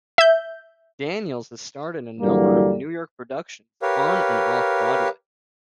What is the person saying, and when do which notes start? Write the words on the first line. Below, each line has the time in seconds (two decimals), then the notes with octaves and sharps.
Daniels has starred in a number of New York productions, on and off Broadway.
0.18 E5 G6
2.21 G2 D3 E3 F#3 G3 A#3
3.82 G4 A#4 B4 C#5 F5